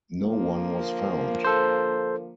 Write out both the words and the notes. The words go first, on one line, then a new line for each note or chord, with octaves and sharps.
No one was found.
D3 F3 A#3
A4 C5